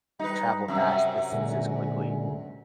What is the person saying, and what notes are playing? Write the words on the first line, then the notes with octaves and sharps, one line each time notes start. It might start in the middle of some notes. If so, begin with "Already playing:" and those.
to travel vast distances quickly.
G3 D#4 B4
F#2 C3 F#3
A#2 D3 G#3